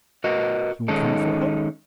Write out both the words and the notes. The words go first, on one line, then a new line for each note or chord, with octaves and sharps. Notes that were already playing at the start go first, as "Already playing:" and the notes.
"He will come for her?"
F#4 A#4 B4 D#5
D#3 G#3 C#4 D#4 A4